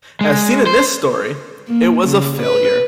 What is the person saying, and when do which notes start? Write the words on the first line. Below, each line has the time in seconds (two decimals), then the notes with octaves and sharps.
As seen in this story, it was a failure.
0.21 G#3
0.67 C5
1.68 A#3
2.04 C#3
2.42 B4